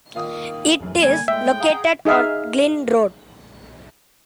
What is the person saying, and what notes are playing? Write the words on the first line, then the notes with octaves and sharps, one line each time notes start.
It is located on Glen Road.
D#3 A#3 F4 F5 D#6
F1 F#2 E3
D3 G3 A#3 G#5
A2 G#3 E5 G5
G#4 F5 F#5 A#5
D#4 G#4 E5 F5